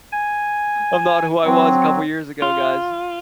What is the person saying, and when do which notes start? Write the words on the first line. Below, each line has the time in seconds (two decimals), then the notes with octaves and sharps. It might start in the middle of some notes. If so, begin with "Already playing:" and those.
"I'm not who I was a couple years ago, guys."
0.12 G#5
1.45 F#3 C4
2.42 F4